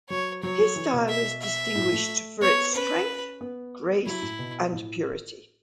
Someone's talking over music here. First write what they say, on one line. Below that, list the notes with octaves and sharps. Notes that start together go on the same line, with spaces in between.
His style is distinguished for its strength, grace and purity.
F#3 C#5
F#3 C#5
F#3
E3
B2
E5
E5
A2
A3
B3 C#5
C#4 B4
B3
F#3 E4
A2
B2
A2